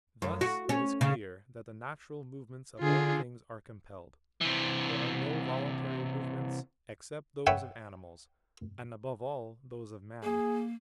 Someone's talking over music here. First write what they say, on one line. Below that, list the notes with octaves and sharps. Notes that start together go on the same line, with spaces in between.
Thus it is clear that the natural movements of all things are compelled; there are no voluntary movements except those of animals and, above all, those of man.
F#2
F#4
C#4
C#3
D3 F4 G#4
C3 E3
B4 C#5 E5 F#5 G5
A#3 G#4